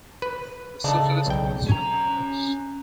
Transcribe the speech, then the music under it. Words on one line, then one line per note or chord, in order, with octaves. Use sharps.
The socialist cause shall not perish.
B4
C#3 D4 D#4 A4
B1 G5
C#4 A#5